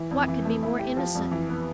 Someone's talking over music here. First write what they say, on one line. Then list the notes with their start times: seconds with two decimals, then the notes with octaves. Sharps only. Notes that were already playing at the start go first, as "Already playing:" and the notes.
What could be more innocent?
Already playing: E3 E4
0.11 F2
0.28 E3
0.45 A3
0.63 E4
0.79 G4
0.97 F3
1.15 F2
1.31 E3
1.49 B3